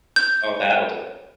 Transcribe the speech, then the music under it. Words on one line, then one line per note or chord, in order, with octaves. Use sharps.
Oh, that'll do it.
G6